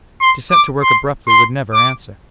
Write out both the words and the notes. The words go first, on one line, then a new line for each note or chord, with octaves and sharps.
To set to work abruptly would never answer.
C6
D6
C6
C6
D6